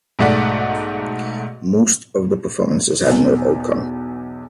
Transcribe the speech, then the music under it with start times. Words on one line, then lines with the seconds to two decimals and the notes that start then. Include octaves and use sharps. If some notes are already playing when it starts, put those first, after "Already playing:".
Most of the performances had no outcome.
0.19 B1 G#2 A3 D5 F#5 B6
3.06 B1 E2